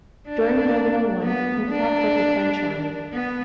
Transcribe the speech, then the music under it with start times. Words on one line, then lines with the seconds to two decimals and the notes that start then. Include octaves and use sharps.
During World War One, he fought with the French army.
0.29 D4
1.23 B3
1.71 D4
3.13 B3